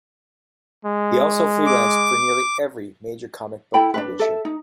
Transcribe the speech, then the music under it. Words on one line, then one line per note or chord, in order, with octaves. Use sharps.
He also freelanced for nearly every major comic book publisher.
G#3
D6
E4 A4 G5 B5
D4 D#4 B4
A4 E5
D#4